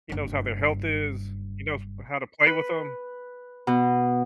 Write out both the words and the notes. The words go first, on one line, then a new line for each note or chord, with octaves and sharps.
He knows how their health is. He knows how to play with them.
F#1 G2
B4
B2